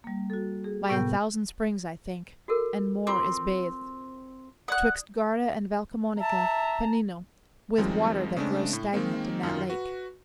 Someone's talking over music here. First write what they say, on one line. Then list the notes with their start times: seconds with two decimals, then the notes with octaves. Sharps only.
By a thousand springs, I think, and more, is bathed, 'Twixt Garda and Val Camonica, Pennino, With water that grows stagnant in that lake.
0.04 G3 A#3
0.30 F#4 A4
0.64 G#4
0.89 A2 C3 B3 A#4 G5 G6
2.48 F#4 A4 A#4
3.07 C4 F4 D6
4.68 D5 F#5 D#6 F#6
6.20 E5 A5 A#5
7.78 F#2 D#3 F3 G3 G#3 C4
8.37 C#3 G#3 A3 C4 D4
8.73 A2
8.93 D#3 G#3 A#3 C4
9.43 F#2 D#3 F4
9.70 F#4 B4